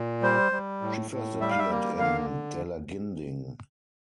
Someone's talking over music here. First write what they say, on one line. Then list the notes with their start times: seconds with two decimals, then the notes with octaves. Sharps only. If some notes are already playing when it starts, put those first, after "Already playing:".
She first appeared in "Dalaginding".
Already playing: A#2
0.22 G3 C5
0.52 G3
0.82 A2
1.11 A2
1.40 G3 E5
1.50 F5
1.58 E5
1.70 A#3
1.99 D3 F5